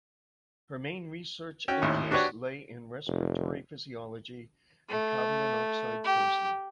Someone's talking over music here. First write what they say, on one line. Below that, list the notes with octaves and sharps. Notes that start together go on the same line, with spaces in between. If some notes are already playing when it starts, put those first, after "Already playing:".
Her main research interests lay in respiratory physiology and carbon monoxide poisoning.
C#4 F#4 G5
G#1 D#2 A2
D4 F#4 G4 B4 C#5 D5
F1
A3
G4